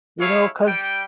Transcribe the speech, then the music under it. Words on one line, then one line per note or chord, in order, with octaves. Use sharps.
You know? 'Cause,
E4 G#4 A4 C#5 F5
G3 G5